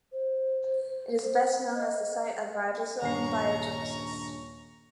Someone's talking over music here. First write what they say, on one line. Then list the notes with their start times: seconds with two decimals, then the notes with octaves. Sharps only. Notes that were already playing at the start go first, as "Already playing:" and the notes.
It is best known as the site of ribosome biogenesis.
0.12 C5
0.88 C5
1.21 C5
1.74 D#5
3.02 D#1 G2 C#4 A#5 C#6 C7